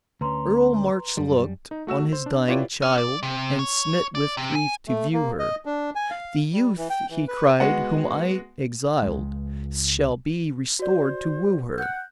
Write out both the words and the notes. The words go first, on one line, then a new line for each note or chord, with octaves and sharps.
Earl March look'd on his dying child, And smit with grief to view her-- The youth, he cried, whom I exiled Shall be restored to woo her.
D2 C#4 B4 A#5 C6
F#2 G3
D#4
A3 F#4 E6 E7
C5
D4
E4 F4 G4 B4 C#5 D5
C#4
D5
C3
C#5
D5
C3
G#5
A3
A#3
D#5
D4
G#5
F5
G3
E3
G5
E3
B4
G#3 B3 F#4 F#5
C#2 G#3
F#4 C5 D5
F#5 F#6 G6